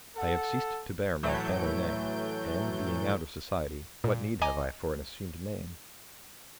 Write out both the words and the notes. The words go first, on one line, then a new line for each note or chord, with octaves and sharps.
I have ceased to bear my family name; and, being out of society, what need have I for an assumed name?
A4 F#5
A2 E3 F#3 A3 G6 D7
A#2
D#5 G#5 A#5 D6